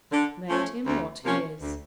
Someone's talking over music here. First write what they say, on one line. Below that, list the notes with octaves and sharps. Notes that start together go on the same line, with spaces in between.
Made him what he is!
D3
F3 A3 C#4
D2
C3 F3 A#3 C#4
D2